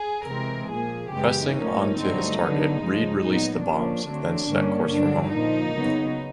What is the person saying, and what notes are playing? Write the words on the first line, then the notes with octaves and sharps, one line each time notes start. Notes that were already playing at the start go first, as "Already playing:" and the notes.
Pressing on to his target, Reid released the bombs, then set course for home.
Already playing: G#4
C3 E3 G#3 C4 A#4
A#2 F3 A#3 G#4
F#2 C#3 E3 G#3 B3 G4
A2 F3 A#3 C#4 D#4
G2 D3 F#3 A3 C4
D3 F#3 B3
C#3 F3 G#3
A#2 F#3 B3 D#4
A#2 F3 A#3 C#4 D4
D3 F#3 A3 C4
G2 D3 G3 A#3 C#4
G2 D3 F#3 D4
A#2 F3 A#3 D#4
C#3 F#3 B3